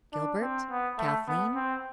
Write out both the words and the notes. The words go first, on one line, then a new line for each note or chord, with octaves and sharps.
Gilbert! Kathleen!
D4
C4
B3
A3
B3
C4